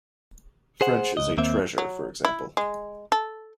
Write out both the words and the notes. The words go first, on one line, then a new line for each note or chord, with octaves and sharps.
French is a treasure, for example.
G#4 C5 F#5
C#2 D#5
D#2 A#3 C4 E5
F#3
E4
G#3
A4